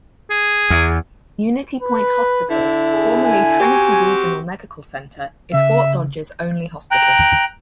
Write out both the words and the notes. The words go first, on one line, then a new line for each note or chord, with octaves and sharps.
Unity Point Hospital, formerly Trinity Regional Medical Center, is Fort Dodge's only hospital.
G#4
E2
B4
D3 E4
G#4
G#5
C4 F#4 G4
C#3 E5
G5 A#5 F#6